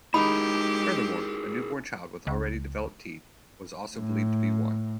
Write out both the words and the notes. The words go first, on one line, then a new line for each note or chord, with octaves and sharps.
Furthermore, a newborn child with already developed teeth was also believed to be one.
G#3 D#4 E4 G4 G#4 A#4 B5
C#2
A2